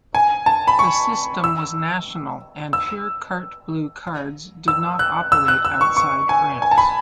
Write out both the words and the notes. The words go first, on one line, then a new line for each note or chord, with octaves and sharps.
The system was national, and pure Carte Bleue cards did not operate outside France.
G#5
A5
B5
C#6
E6
E6
E6
F#6
E6
F#6
E6
C#6
C#6
G#5
G#5
A5
B5